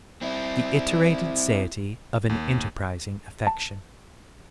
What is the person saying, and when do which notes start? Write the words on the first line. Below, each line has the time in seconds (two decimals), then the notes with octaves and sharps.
The iterated satiety of an enterprising affection.
0.22 C4 E4
2.29 D#2
3.47 A5